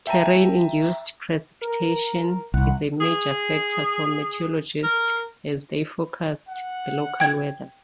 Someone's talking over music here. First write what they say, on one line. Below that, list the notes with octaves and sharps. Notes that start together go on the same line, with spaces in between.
Terrain-induced precipitation is a major factor for meteorologists as they forecast the local weather.
E5 G5 A5 A#5 D#7
A#4
C2 F#5
G#4
A#4
F#5
G5 G#6